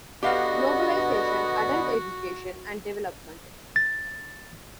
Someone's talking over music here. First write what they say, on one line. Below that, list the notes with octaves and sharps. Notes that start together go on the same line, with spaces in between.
Globalization, Adult Education, and Development.
D3 B3 F#4 G4 D#5 F5 F#5
A6